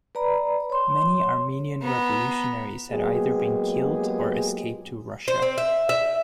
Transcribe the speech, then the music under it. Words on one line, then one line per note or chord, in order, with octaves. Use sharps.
Many Armenian revolutionaries had either been killed or escaped to Russia.
B4 D5 A#5 B5
C#5 C6
B3 A#5
F#3 G#3 A#3 B3 G4 G#4
C5
C4
E5
E5